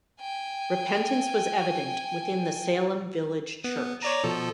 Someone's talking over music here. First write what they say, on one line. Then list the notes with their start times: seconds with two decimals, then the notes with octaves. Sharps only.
Repentance was evident within the Salem Village church.
0.20 G5 G#5
3.64 B3
4.02 C#5 D5 A#5
4.24 B2 F3 A4